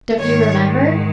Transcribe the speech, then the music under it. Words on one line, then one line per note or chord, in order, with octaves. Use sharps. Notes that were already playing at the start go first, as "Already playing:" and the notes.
'Don't you remember?
G#2 D#3 G#3 C#5